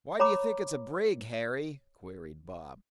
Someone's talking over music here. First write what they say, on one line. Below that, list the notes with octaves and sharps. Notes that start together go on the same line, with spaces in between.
"Why d'ye think it's a brig, Harry?" queried Bob.
C#5 A#5 B5 D6